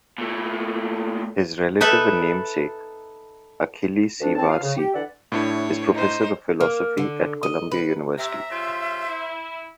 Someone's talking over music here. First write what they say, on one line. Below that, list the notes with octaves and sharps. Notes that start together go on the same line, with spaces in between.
His relative and namesake, Achille C. Varzi, is Professor of Philosophy at Columbia University.
A#2 A3
D#4 A4 B4 E5
D2 D4
E2 C4 A5
F3 F5
C#3
G4
D3 E3 D4 D5 E5 F#5
A2 D4 E4 C#5
D#4 C5
A#3
D3
D#5
B4
C3 E5 A#5
C#3 G3 F4 C5
E4